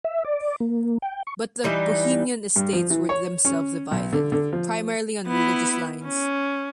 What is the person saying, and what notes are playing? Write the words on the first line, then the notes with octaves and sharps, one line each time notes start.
But the Bohemian estates were themselves divided, primarily on religious lines.
E5
D5
A#3
G5
C#6
E3 G3 D#4
G2
F3
E3
C#5
C#4
B1
D3
D3
F3
B3 E4
C#4